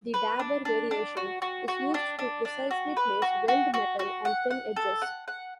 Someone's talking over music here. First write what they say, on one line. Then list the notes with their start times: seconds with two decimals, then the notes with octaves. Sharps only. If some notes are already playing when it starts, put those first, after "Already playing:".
The dabber variation is used to precisely place weld metal on thin edges.
0.14 B4
0.39 D4
0.65 D4
0.91 D4
1.17 F#4
1.42 F#4
1.68 F#4
1.94 D4
2.19 D4
2.45 D4
2.71 F#4
2.97 B4
3.22 F#4
3.48 F#4
3.74 F#4
3.99 F#4
4.25 F#5
4.51 F#5
4.76 A4
5.02 F#5
5.28 F#5